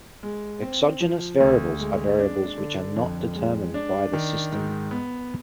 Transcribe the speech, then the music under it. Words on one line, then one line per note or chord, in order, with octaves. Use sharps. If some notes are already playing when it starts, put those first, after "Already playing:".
Exogenous variables are variables which are not determined by the system.
G#3
C4
F3
D2
G#3
D4
D3
F2
G#3
D4
D#3
G#2
B3